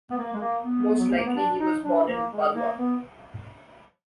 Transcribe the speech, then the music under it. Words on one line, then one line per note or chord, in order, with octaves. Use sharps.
Most likely he was born in Padua.
B3
A#3
G#3
A#3
B3
F#3
G#3
A#3
B3
D4
D#4
D4
A#3
G#3
A#3
B3